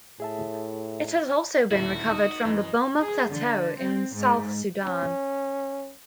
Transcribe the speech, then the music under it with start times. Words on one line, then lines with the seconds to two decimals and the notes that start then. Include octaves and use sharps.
It has also been recovered from the Boma Plateau in South Sudan.
0.20 A2 G#4 E5 A5
1.71 D#1 D2 E4 F#4
2.09 D#4 D#6
2.45 F#2 E3 D#5
3.01 G#4
3.30 D3
3.79 C4
4.15 G#2
4.84 C#4